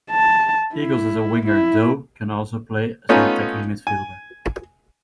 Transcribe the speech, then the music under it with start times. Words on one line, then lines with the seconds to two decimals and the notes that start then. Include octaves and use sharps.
Eagles is a winger, though can also play as an attacking midfielder.
0.11 A5
0.75 E4
1.46 E4
3.09 A3 B3 C#4 D#4 F4
3.87 G#5